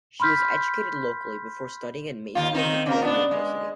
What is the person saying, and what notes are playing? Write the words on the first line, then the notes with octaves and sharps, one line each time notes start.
She was educated locally before studying at Massey and Victoria University.
B5 C6 F6 G6 B6
D#2 F4
D#3 C4 D#4
C#3 C4 A#4
B3 D4
G#3